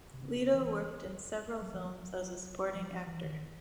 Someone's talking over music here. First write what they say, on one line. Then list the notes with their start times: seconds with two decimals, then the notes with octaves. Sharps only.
Lito worked in several films as a supporting actor.
0.13 C3
0.22 C#3
0.54 E3
1.62 F#3
1.74 F3
1.85 F#3
2.75 F3
2.91 F3
3.07 E3
3.23 D#3